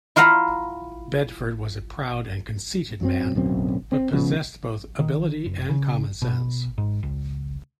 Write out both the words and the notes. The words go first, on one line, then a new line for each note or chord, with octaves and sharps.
Bedford was a proud and conceited man, but possessed both ability and common-sense.
E4 F4 F5 F#5 A#5 B5
F#2 F#3 C4
D1 B1 F#2 C4
C4
C#3 F3 G#3 B3
D#3
F#1
C#3
B2
G#2
C#2